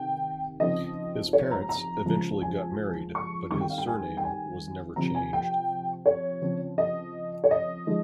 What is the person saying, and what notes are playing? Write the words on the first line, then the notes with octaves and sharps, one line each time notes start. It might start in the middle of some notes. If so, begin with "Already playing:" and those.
His parents eventually got married but his surname was never changed.
Already playing: C3 D#3 G5
C#3 F3 C4 D#4 D#5
C#5
A#5
A#5
C#3 F3 G#3
G#5
C#6
D#3 G3 C4 C#6
G5
F5
G5
G#5
G5
G#5
C3 F3 C4 A#5
G#5
G5
C#5
C#3 F3 C4
D#5
C#5
D#5
F3 G#3 D#4